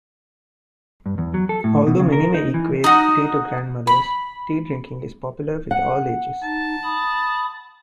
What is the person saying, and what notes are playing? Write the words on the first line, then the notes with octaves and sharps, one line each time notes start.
Although many may equate tea to grandmothers, tea drinking is popular with all ages.
G2
E2
F#3
A4
A2
B2
C#3
A#4
D#4
E3
D#4 F#4
B5
F#5
D#4 A5
B5 D#6